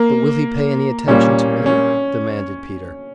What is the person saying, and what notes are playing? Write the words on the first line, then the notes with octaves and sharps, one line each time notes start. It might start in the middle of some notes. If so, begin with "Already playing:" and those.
"But will he pay any attention to me?" demanded Peter.
Already playing: A#3
A#2 G3 A#3 C#4
C#4